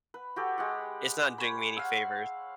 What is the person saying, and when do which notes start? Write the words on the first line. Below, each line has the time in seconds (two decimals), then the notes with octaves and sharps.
it's not doing me any favors
0.14 B4
0.36 F#4 G4 A4
0.58 G#3 G4 F#5
1.38 C5 C#5 B5
1.77 F5 F#5 E6